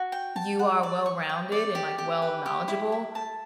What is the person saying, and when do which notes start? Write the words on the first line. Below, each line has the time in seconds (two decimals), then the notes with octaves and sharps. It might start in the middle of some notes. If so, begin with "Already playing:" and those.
you are well-rounded and, like, well knowledgeable
Already playing: F#4
0.12 G5
0.36 A5
0.59 F#5
0.83 D5
1.06 C#6
1.29 G5
1.52 D5
1.75 G4
1.98 G4
2.22 B4
2.46 G4
2.68 E4
2.92 E4
3.15 A5